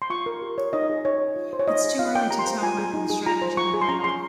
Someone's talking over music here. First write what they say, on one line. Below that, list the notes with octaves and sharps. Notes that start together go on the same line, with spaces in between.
Its too early to tell whether the strategy will pay off.
C6
F4 C#6
A#4
G4
C#5
D#4 D#5
G#4
D#4 C#5
G#4
F4
C5
C#5
D#4 D#5
G#4
F4 F5
A#4 G5
G4 A#5
C6
C5 A#5
F4 G#5
G#4
D#4
G#4
F4 A#5
C5
F4 C#6
G#4
C6
C#4 A#5
G#4 C6